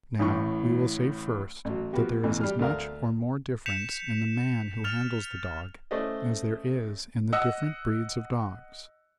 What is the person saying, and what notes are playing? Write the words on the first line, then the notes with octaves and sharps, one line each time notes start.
Now, we will say first that there is as much or more difference in the man who handles the dog as there is in the different breeds of dogs.
A1 A2 C#6
A1 F#3
F3 A#3 B3 F#4 G4
A1 E2 E3
G3 F6
D2 A3 A#4 F5
G6 B6 C#7 E7 F7
F6 A6 F7
A3 C#4 C5 D5 D#5
D#5 F#5 E6